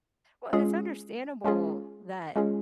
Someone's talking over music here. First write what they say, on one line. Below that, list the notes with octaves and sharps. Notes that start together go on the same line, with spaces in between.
Well, it's understandable that,
G#3 C#4 F4 G#4
G#3 C#4 F4 G#4
G#3 C#4 F4 G#4